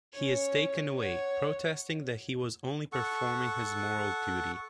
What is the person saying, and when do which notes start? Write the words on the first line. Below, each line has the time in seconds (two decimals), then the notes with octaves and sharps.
He is taken away, protesting that he was only performing his moral duty.
0.13 C#4 C#5
0.99 C#5 F#5
2.92 A4 F#5 C#6